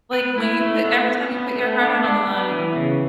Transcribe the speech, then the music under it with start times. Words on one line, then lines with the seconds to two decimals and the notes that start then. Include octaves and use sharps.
Like, when you put every time you put your heart out on the line
0.13 B4
0.38 E4
0.61 A3
0.84 B3
1.08 B3
1.32 B3
1.56 A3
1.79 D4
2.04 D4
2.27 B3
2.51 E3
2.76 C#3